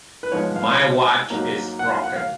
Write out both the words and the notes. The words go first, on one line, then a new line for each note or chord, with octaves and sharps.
My watch is broken.
B4
G#2 F3 G#3 B3 C#5
F5
G#2 F#3 A#3 D#4
F#5
F5
F#5
F5